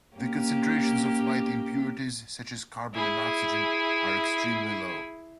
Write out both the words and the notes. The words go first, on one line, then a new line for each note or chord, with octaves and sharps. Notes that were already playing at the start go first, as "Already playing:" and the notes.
The concentrations of light impurities, such as carbon and oxygen, are extremely low.
A#3 C#4 G4
E4 G#4